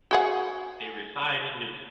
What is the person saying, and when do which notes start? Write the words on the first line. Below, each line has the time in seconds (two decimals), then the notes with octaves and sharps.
They reside in Newton.
0.11 F#4 G#4 F#5